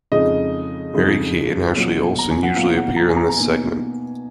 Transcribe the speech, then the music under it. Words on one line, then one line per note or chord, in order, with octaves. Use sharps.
Mary-Kate and Ashley Olsen usually appear in this segment.
F2 C#3 G#3 D#4 D#5
F2 C#3 G#3 D#4
B2 F#3 A#3 C#4 F4
A#5
G#5
F#5
B2 F#3 A#3 C#4 F4 F5
F#5
A#5
G#5
A#5
A#5
B2 A#3 D#4 G#5